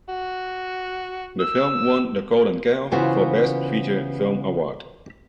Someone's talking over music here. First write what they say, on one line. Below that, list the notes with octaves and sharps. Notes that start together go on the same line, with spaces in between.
The film won the Golden Calf for Best Feature Film award.
F#4
E6
C#3 E3 B3 F4 F#4 C5